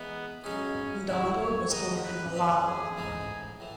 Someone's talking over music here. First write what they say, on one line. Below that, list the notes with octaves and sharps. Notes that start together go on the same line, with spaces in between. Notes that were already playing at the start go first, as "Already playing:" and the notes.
Ndongo was born in Malabo.
Already playing: E3 G#3 B3 D#4
B1 B2 G#3 C#4 D#4 G#4
E2 D#3 F#3 C#4 E4
C#5
D#3 G#3 B3 D#4 D#5
B4
D#3 F#3 A3 B4
G#4
A1 G#2 E3 G#3 D#4
A2 E3